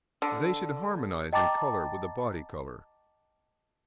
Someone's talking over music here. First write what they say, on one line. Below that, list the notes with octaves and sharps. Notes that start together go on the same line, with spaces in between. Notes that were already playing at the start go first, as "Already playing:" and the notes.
They should harmonise in colour with the body colour.
D3
D#5 G5 A5 A#5 D6 A6